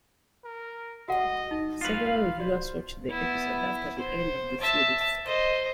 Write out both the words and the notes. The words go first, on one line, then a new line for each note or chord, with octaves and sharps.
Several reviewers watched the episode after the end of the series.
A#4
F#4 D#5 F#5
D#4
F4 B4 F5
F#4 C5 D5
B3 E4
C5
E5 A5
C5 D#5